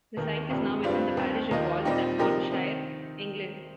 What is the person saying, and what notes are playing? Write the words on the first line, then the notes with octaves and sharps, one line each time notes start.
The site is now within the parish of Wall, Staffordshire, England.
D#2 D#3 A#3
G1 F2 C3 G3
G2 G3 C4 F4
D#2 D#3 C4
D#2 D#3 A#3 F4 D#5
A#2 G3 C4 D#4 G4
C3 F3 D#4 G4 A#4
D#3 C4 D#4